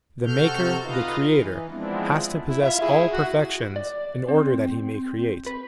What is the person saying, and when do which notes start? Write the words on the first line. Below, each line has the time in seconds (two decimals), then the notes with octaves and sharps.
The maker, the creator, has to possess all perfections in order that he may create.
0.24 C3 F#4 A4 F6 G6
0.83 D#4 F4 B4 D#5 F5
1.26 E3
1.69 F3 G#3 B3 C4 D4 E4
2.49 E4
2.61 F4 E5
2.82 E4 G#4
3.12 F#4
3.76 D5
4.28 C4
5.46 B4